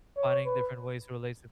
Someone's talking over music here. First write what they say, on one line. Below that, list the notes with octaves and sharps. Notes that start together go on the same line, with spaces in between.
finding different ways to relate to
C#5
B4